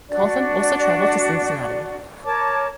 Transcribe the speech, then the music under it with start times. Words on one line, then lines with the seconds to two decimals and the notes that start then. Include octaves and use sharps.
Colton also traveled to Cincinnati.
0.10 D4 F#4 D5
2.25 A#4 C#5 A5 D6